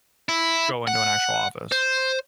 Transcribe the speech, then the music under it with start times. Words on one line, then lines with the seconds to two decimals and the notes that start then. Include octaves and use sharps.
go into an actual office?
0.29 E4
0.87 F#5
1.72 C5